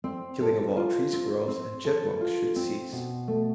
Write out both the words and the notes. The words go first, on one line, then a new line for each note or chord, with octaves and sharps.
The killing of all tree squirrels and chipmunks should cease.
C4
A4
F4
C4
C4
A4
F4
C4
B2
A3